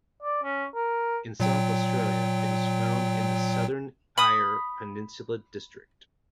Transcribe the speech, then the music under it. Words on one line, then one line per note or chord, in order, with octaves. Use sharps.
In South Australia it is found in the southern Eyre Peninsula district.
D5
C#4
A#4
A#2 F#3 G5
B5 D#6